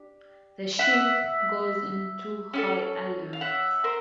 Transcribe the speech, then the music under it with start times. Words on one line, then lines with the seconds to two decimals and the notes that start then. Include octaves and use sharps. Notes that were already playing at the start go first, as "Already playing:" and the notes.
The ship goes into high alert.
Already playing: D4 G4
0.79 E5 F#5
2.53 C#4 F#4 A4
3.33 F5
3.41 E5 F#5
3.84 A#4 C5